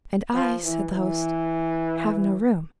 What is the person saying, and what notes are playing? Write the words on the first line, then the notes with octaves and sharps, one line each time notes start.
"And I," said the host, "have no room."
F3
E3
E3